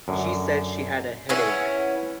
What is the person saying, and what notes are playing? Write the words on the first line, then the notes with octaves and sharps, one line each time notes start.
She said she had a headache.
F#2 D3
E3 C#4 G#4 C#5 E5 F#5